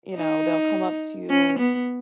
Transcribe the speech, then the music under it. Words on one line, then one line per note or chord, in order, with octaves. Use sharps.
you know? They'll come up to you
D#4
C#4
B3